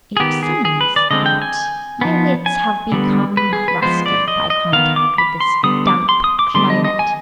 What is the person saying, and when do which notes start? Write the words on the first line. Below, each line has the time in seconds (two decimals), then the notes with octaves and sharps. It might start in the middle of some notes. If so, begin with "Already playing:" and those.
It seems that my wits have become rusty by contact with this damp climate.
0.17 G#4
0.20 D#3 B3 G4
0.43 G#4
0.65 G#4
0.81 B4
0.96 D5
1.11 D3 G#3 C4 D#5
1.26 G5
1.42 G#5
2.01 F3 B3
2.46 G#5
2.92 D3 G3 B3
3.37 B4
3.53 G#4
3.68 B4
3.82 F3 G#3 B3 C5
4.06 D5
4.28 D#5
4.50 D#5
4.72 D#3 B3 F5
4.96 D6
5.18 B5
5.40 C6
5.63 D3 G3 B3 D#6
5.87 D6
6.09 C6
6.24 D#6
6.39 D6
6.54 D3 G3 B3 C6
6.70 D#5
6.84 D#5
6.99 G#5